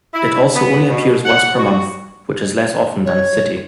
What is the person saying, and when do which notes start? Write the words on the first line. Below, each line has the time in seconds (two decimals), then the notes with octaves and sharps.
It also only appears once per month, which is less often than "City".
0.14 E4
0.54 B3
0.91 B2
1.25 F#5
1.58 F#4
3.06 C#5